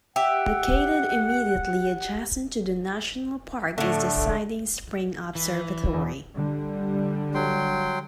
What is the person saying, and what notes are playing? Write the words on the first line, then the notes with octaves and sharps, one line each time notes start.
Located immediately adjacent to the national park is the Siding Spring Observatory.
G4 E5 F#5
A2 D3 A3
E3
E2
D3 G3
F#3 G5 C6